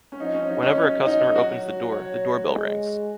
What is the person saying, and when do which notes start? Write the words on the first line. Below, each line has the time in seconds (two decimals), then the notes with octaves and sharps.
Whenever a customer opens the door, the doorbell rings.
0.12 C#4
0.20 F3 D#4
0.34 C#4
0.49 F#3 D#4
0.63 C#4
0.78 C#4
1.06 D#4
1.34 F#3 F#4
1.92 C#5
2.49 G#3